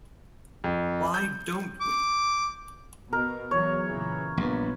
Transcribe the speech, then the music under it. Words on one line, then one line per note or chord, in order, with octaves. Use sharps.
Why Don't We?
F2
G6
D6
B2 A#4
E2 F#3 C#5
A#2 C#3 E3
A#1 G2 A#2 B3